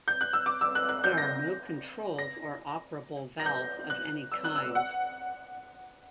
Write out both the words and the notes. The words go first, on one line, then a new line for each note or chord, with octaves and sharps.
There are no controls or operable valves of any kind.
G6
F#6
E6
D6
E6
F#6
F#6
G6
A#6
A#6
A#6
G6
F#6
E6
F#6
E6
F#5